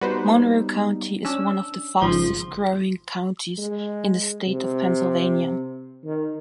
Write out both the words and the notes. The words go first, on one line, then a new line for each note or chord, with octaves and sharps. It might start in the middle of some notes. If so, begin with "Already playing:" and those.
Monroe County is one of the fastest-growing counties in the state of Pennsylvania.
G3 B3 D#4 F#4 B4 C5
C#4 D4 E6
G#1 G#2 C#3 F3
G#3
C3
D#3